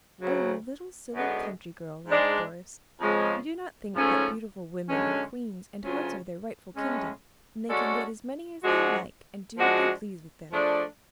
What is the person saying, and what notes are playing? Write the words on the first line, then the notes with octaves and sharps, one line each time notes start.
"Oh, you little silly country girl," laughed Doris, "you do not think that beautiful women are queens, and hearts are their rightful kingdom, and they can get as many as they like, and do what they please with them."
D2 C#3 F#3
F#2 D3 G#3 B3
G#2 G#3 D4
F2 C#3 F3 G#3
G#2 F3 A3 C#4
F#2 D3 G#3 C#4
D2 C#3 F#3 C#4 F4
A2 G#3 C#4
G#3 C#4 F#4 A4 D5
F3 G#3 D4 F#4
F3 G#3 D4 F#4
F3 A3 D4 G#4